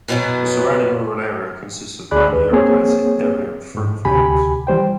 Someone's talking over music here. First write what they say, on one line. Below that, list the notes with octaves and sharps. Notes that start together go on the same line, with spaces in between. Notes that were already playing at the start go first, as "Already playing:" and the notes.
The surrounding rural area consists of mainly irrigated dairy and fruit farms.
F#2 B2 E3 F#3 B3
D2 G#4 D5 B5 F#6
D#2 B4
A#3 C4 G#4 C#5
G#2
D2 C3 G4 G#5 B5
E3 G3 C5 G5